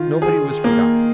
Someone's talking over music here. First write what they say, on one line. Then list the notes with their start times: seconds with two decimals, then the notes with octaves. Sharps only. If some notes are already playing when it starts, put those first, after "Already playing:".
Nobody was forgotten.
Already playing: D#3 F4
0.22 G#4
0.64 A#3